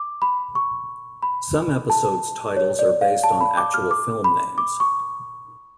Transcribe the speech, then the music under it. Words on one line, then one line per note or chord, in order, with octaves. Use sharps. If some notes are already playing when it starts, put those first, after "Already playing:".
Some episodes' titles are based on actual film names.
Already playing: D6
B5
C#6
B5
A5
C#5
D5
F5
A5
B5
D6
F6
D6
B5
D6
C#6